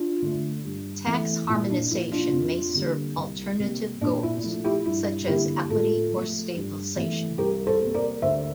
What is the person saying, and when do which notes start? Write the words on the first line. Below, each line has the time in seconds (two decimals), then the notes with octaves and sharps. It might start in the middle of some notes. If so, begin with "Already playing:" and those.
Tax harmonization may serve alternative goals, such as equity or stabilization.
Already playing: D4 F4
0.22 D3 A3
0.65 G2
1.07 E3 A3
1.48 A#2 E4
1.70 D4
1.91 F3 A#3 E4
2.12 D4 F4
2.33 F2
2.75 D3 G3 A#3
3.17 C2
3.59 C3 G3 A#3
4.01 A#2 D4
4.23 E4
4.43 F3 A3
4.64 E4 G4
4.86 G2 E4
5.28 D3 G3 A#3 E4 G4
5.70 A2 F4 A4
6.12 F3 A3
6.55 G2
6.96 E3 A3
7.38 C2 G4 A#4
7.67 A4 C5
7.80 C3 G3 A#3
7.95 A#4 D5
8.22 D2 C5 E5